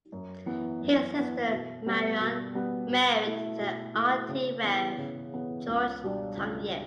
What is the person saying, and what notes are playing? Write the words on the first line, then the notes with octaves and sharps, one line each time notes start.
His sister Marion married the Rt Rev George Tung Yep.
F#2
E3 B3
F#2
E3 B3
B2
G3 B3
B2
G3 B3
B2
A3 E4
B2
A3 E4
C#3
E3 B3
C#3
E3 B3
C#2
B2 G3 D4
C#2